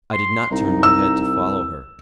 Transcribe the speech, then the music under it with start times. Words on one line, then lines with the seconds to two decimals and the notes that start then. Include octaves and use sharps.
I did not turn my head to follow her.
0.13 C6
0.51 C2 D#4
0.83 E6